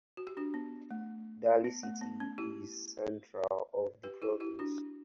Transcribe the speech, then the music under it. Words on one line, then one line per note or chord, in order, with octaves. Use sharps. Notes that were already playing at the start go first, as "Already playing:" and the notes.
Dali city is the centre of the province.
F#4
G4
D4 F#4
B3
A3
B3
A3
B3
C#4
E4 G4
G4 B4
E4 G4
E4 G4
D4 F#4